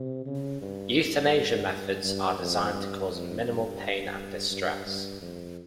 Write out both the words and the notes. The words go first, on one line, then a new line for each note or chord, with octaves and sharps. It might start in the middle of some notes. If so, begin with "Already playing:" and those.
Euthanasia methods are designed to cause minimal pain and distress.
Already playing: C3
C#3
G2
G2
G2
F2
G2
F2
G2
G2
G2
F2